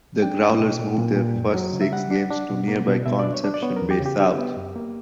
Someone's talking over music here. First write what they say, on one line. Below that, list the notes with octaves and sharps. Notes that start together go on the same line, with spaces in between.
The Growlers moved their first six games to nearby Conception Bay South.
D4 G5
D4
B2
A#2
A#2
A#2
F#2
F#3
C#3
E5
G3 F#5
D4
D4
B2
A#3
B2
B2 E5
D4 D5
C#5
D4
D5
B3 C#5
A#4
E2
G4
C#3
G4
D4 G4
B3
F#2
A#3